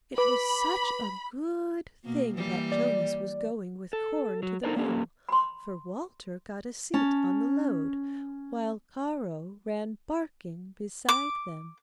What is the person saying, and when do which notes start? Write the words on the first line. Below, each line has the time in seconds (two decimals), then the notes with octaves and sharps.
It was such a good thing that Jonas was going with corn to the mill, for Walter got a seat on the load, while Caro ran barking beside them.
0.18 B4 B5 D6
2.04 B2 A#3
2.35 E3 G3 A#3
2.72 D5
3.93 A4
4.43 F#3
4.63 D4 D#4 A4 A#4 C5 D5
4.76 A#3 C#4 G4 A4
5.29 B5 C6
6.94 C#4 A5
11.09 D6